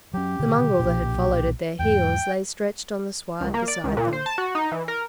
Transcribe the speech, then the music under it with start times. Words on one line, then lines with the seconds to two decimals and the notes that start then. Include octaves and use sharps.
The mongrel that had followed at their heels lay stretched on the sward beside them.
0.14 F#3 C#4 G4
0.39 B2 D3 D#3
0.77 B1 A#2 F3
1.79 E2 G#2 G5
3.41 C#2
3.54 A#3
3.68 D5
3.84 C#2
3.97 A#2
4.13 C5
4.26 A5
4.38 F#4
4.55 D#4
4.72 E3
4.88 A#4